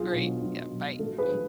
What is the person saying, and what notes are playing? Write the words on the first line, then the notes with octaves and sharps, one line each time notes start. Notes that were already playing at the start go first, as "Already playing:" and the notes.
Great. Yeah, bye. Mm
Already playing: B1 F4 G#4
B2 F#3
B1
B2 F#3
A1 F#4 A4
G#4 B4
F3